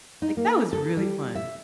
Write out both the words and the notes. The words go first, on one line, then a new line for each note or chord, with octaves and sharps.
"Like, that was really fun!"
D#4
A#3
A4
G3
E5